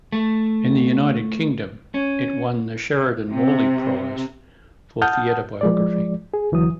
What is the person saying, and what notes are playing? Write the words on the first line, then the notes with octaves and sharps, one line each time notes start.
In the United Kingdom, it won the Sheridan Morley Prize for Theatre Biography.
A3
C#4
C3
F#5 A5 D#6 F6 G6
F3 G#3 D5
G#4
D2 E3 F#3 D#6